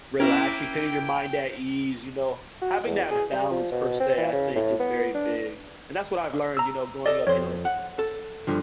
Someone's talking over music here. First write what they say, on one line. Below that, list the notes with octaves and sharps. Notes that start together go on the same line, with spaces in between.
relaxing, putting your mind at ease, you know. Having that balance, per se, I think is very big, and that's what I've learned, you know, growing up, you know,
A#3 C#4 E4 A#4 G5
F#4
E2
G#4
G3
F3
B2
C4
E3
C#3
A2
B3
D4
A#5 E6
A4 D5 D#5
F2 C5 C#5
F#5
A4
G2 D3 F3